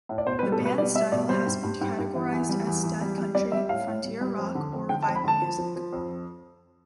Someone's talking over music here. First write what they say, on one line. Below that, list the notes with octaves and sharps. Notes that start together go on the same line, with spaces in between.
The band's style has been categorized as "death country", "frontier rock", or "revival music".
A2
D5
B2 C5
B4
G3
A4
B2
B4
G3 D5
G3 E5
B2 D5
G3 C5
G2
G2
G2
G2
E3
E2
G3
E2
E2
G3
G3
G3 D5
G3 E5
A2 F5
A2
G3
G3
F2
D3
F2
D3 G5
A5
F2
B5
D3 A5
F3
F3
F3
F2